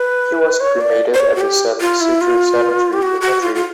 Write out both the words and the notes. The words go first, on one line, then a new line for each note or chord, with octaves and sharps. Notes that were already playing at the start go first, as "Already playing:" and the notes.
He was cremated at the San Isidro cemetery in Madrid.
Already playing: B4
C#5
D5
C5
C#5
F#4
G4
F4
E4
F4
G4
F#4
F#4
F4
F4